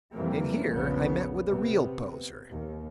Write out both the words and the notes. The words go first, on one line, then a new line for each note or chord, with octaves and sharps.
And here I met with a real poser.
F2 C3 E3 G3 A#3
A#1 E2 C#3 B3
C3 B3
D#2